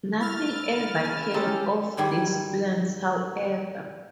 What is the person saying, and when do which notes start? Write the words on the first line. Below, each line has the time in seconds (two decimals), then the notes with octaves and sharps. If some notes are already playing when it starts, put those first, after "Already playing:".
Nothing ever came of these plans, however.
0.20 E4 F6 A6
1.05 C#3 G#5
1.34 G#3 C#4 G4 A4 A#5
1.97 G#2 D#3 G3 G#4